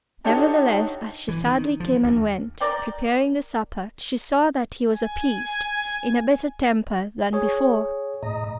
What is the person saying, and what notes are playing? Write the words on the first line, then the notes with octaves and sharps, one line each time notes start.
Nevertheless, as she sadly came and went, preparing the supper, she saw that he was appeased, in a better temper than before.
D4 D#4 F#4 G4 A4 C#5
E3
D#3
F3
D2
A#4 D5 G5
G#5
G#4 C#5
A2 D#5 A#5